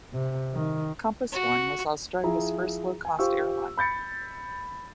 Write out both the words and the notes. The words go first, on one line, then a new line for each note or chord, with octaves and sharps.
Compass I was Australia's first low cost airline.
C3
D#3
F#4
F3 E4 G#4 A#5
G#5
F4 G4 C5 C#6 E6
B5 G6 A6 C#7